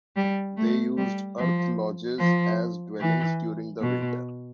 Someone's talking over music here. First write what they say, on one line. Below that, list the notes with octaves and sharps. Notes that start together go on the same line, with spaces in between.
They used earth lodges as dwellings during the winter.
G3
A3
G3
F3
F3
E3
B2